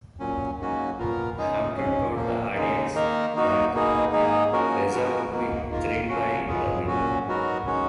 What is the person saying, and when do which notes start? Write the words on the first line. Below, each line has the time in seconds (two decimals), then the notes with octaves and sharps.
Hampton told the audience that Reza would be thrilled by the win.
0.20 A#2 F#3 C#4
0.59 G#2 F#3 A#3 C#4 F#4
0.98 A#2 F3 B3 F4 A#4
1.38 C#3 G#3 D#4 G#4
1.77 G#2 F#3 C#4
2.16 A#2 F3 A#3
2.55 D#2 C#3 G#3 D#4
2.95 D#3 A#3 D#4 A#4
3.34 D#3 A#3 D#4 F#4
3.73 B2 A#3 D#4 G#4
4.12 G#2 D#3 A#3 D#4 G#4
4.52 F3 A#3 C#4 F#4 A#4
4.91 F3 G#3 B3 F#4 A#4
5.30 G#2 D#3 A#3
5.69 G#2 D#3 A#3 F4 A#4
6.09 C#3 F3 A#3 C#4 F#4
6.48 D#3 F#3 B3 F4 G#4
6.87 A#2 F#3 C#4 F#4
7.26 G#2 F#3 B3 F#4 A#4
7.66 D#3 G#3 C#4 F#4